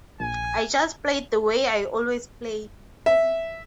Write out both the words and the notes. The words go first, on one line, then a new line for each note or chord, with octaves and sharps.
I just played the way I always play.
A#1 G#5
E5